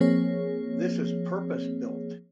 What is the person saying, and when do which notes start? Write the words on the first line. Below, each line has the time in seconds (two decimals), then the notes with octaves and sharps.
This is purpose built.
0.01 F3 A#3 C4 G#4 C#5